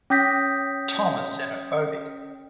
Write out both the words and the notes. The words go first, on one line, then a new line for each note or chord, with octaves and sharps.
Tom is xenophobic.
C#4 G5 D#6 G6 A#6 B6